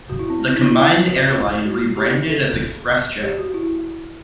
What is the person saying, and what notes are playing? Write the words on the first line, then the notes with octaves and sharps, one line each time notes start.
The combined airline rebranded as ExpressJet.
F#4
E4
C4
C4
E4
D4
E4
F#4
F#4
G4
A4
G4
F#4
E4